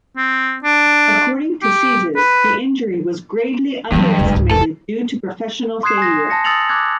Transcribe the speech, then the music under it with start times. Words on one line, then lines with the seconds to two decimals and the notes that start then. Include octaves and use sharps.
According to Czyz, the injury was gravely underestimated due to professional failure.
0.17 C4
0.64 D4
1.62 G4
2.16 B4
3.92 G2 E3 F#3
4.19 F1 C#2
4.32 C#2 G#2
4.51 F1 E2 A4
5.83 C6 D#6 F#6 G#6 C7 E7
5.98 G#5 A#6
6.30 A5 A#6 C#7
6.44 D#6 E6 A6 C#7 F7 F#7
6.69 D6 E6 F#6 G#6